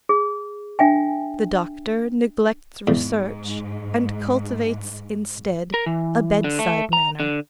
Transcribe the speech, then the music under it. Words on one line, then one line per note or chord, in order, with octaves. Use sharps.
The doctor neglects research and cultivates instead a bedside manner.
G#4
D4 E5 G5 G#5
E2 G#2
A#4
E3
D3
A3
A#5
D3